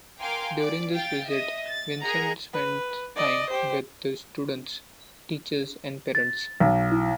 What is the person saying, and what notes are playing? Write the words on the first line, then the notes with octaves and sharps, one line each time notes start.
During this visit, Vincent spent time with the students, teachers, and parents.
A#4 F5 G5 G#5 C6 D6
D5 D6
F5 G5 A6
D#5 E5 D#6
A6
G#4 A#4 D#5 F#5 A#5
B4
D5 D#5
G4 C5
A6
B1
E4